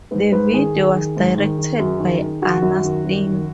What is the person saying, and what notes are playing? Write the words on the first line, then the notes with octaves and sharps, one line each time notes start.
The video was directed by Ana Sting.
G#2 B4
G#2 B4
D#3 G#4
D#3
D#3
G#2
D#3
D#3
F#2
D#3
D#3
D#3 F#4
F#2
D#3
F#2
D#3